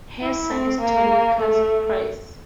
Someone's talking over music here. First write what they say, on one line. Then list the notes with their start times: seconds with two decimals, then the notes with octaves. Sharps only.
Her son is Tony Curzon Price.
0.22 E4
0.51 C4
0.80 A#3
1.40 A3